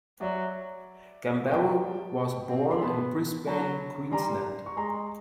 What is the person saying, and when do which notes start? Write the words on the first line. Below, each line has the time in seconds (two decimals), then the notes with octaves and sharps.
Gambaro was born in Brisbane, Queensland.
0.21 F#3 D5 E5
1.51 F#3 G5 A5
1.83 G3
2.49 C4
2.71 C6
2.81 B3 A5 B5
3.47 F#3 A5 B5
4.12 G3 A#5 C6
4.66 C#6
4.77 G#3 A#5 C6